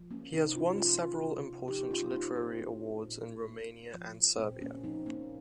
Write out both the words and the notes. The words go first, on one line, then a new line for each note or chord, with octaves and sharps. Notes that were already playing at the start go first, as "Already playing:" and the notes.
He has won several important literary awards in Romania and Serbia.
Already playing: F3
A#3 C#4
C3 C4 D#4
C#4 F4
F3 C#4 F4
C3
F3 D#4 G4
C#4 F4
A#3 C4 D#4
C4
A#3 C4
A#2
A#3
F3
A#2 C4
A#3 C#4
F3 C4 D#4
A#3 C#4